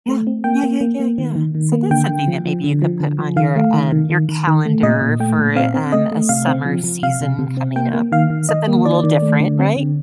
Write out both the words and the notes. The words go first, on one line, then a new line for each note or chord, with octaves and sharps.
Yeah. Yeah, yeah, yeah, yeah. So that's something that maybe you could put on your, um, your calendar for, um, a summer season coming up. Something a little different. Right?
A3
C4
A#3 G5
A#3
A#3
A#3
D#3
D#3
D#3
A#3
D3 G5
D3
F3
F3
D3
F3
D3
F3
D#3 F5
A3
D#3
D#3
D#3
D#3
D#3
A3
A#2 D#5
A#2
A3 G5
A#2
C4 F5
C4
A3 D#5
A3
C3 F5
C4
F3
F3
C3 F5
C3
C3
C4
A#3 G5
A#3
D#3 F5
D#3
D#3 D#5
A#3
D#3 D5
D#3
A3
D3
C4
D3